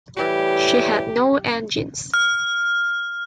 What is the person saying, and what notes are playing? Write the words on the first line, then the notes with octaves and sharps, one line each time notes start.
She had no engines.
A2 E3 G3 G4
F6